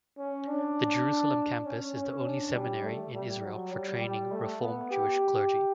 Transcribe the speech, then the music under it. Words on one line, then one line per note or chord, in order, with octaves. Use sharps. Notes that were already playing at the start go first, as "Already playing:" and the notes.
The Jerusalem campus is the only seminary in Israel for training Reform Jewish clergy.
C#4
D4
C#4
C#4
D4
G3
A3
G3
F#3
G3
G3
A3
B3
G4